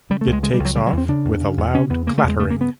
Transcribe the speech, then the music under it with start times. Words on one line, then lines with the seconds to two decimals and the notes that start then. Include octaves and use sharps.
It takes off with a loud clattering.
0.10 C#3 G3
0.21 A3
0.27 C#2
0.33 G#3
0.43 C#3 G#3
0.54 G3
0.59 C#2
0.65 F#3
0.76 C#3 G3
0.86 F#3
0.92 E2
0.98 C4
1.08 C#3 D4
1.25 E2
1.41 C#3
1.57 E2
1.74 C#3 C#4
1.90 E2 B3
2.07 C#3 A#3
2.18 A3
2.23 E2
2.29 G#3
2.40 C#3 A3
2.50 A#3
2.61 B3